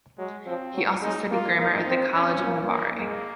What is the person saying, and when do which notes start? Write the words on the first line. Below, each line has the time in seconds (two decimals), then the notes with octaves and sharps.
He also studied grammar at the College of Navarre.
0.18 F#3 G#3
0.46 F3 C4
0.74 F#3
1.02 G#3 D#4
1.30 A#3 F4
1.58 A#3 D#4
1.87 C4
2.14 C#4
2.43 A#3
2.71 A#3
2.99 G#3 A#3